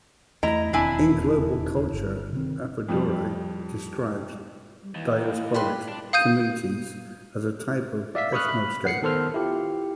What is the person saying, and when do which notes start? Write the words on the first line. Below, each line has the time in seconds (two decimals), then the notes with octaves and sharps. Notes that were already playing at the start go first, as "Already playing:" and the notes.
In "Global Culture", Appadurai describes diasporic communities as a type of ethnoscape.
0.43 E2 A3 E4 D#5 A#5
0.73 E1 D#2 C4 D4 E4 G#5
1.92 G1
2.33 C3 D#3 C4
2.89 F2 F3 G3
4.82 G3
4.95 D#2 E3
5.20 E4
5.54 G4 B4 C6
5.88 D4
6.13 F5 D#6 G6 D#7
8.15 D5 E5 F5 B6
8.33 B5 C#6 D#6 F6 F#6
8.48 B5
8.85 F#5 C7 C#7
9.02 D#3 B3 A4 C5 C6 F6
9.34 E4 F4 G4